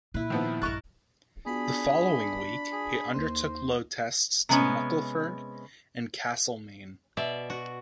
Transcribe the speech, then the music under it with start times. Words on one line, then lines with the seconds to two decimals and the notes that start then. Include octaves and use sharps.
The following week it undertook load tests to Muckleford and Castlemaine.
0.14 A#2 E4 B4
0.30 D#3 F3 B3
0.62 A#1 G2 A#4 D#5 A5 C#6 F#6
1.46 B3 D4 F4 F#4 G#4 B5
2.73 G#4
3.14 D#2 A#3 D#4 C5
4.49 C3 G#3 B3 C#4
7.17 B2 D5 E5
7.50 F#4